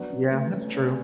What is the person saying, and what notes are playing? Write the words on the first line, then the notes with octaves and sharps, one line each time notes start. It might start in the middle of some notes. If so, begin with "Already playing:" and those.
Yeah, that's true.
Already playing: F#3 B3 D4
C#4
A3
C#4
C#4